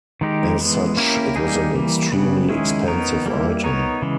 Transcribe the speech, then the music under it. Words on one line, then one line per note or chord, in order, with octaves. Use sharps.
As such, it was an extremely expensive item.
D#3 G#3 D#4 G4 A#4
E3 G#3 B3
A#3 C#4 E4 G4 A#4
G3 A#3 D#4 G#4
E3 G3 A#3
C#3 G3 B3
D#3 G#3 C#4 E4 G#4
B3 D#4 A#4 C#5
G3 A#3 E4
B3 D#4 A#4 C#5
C#3 E3 G#3